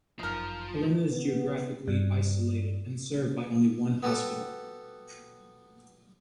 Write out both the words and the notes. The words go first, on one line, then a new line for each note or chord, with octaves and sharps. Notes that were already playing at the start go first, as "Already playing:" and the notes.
Helena is geographically isolated and served by only one hospital.
G1 F#2 F3 D#4 A#4
B3
G2
B3 F#4 G4 A4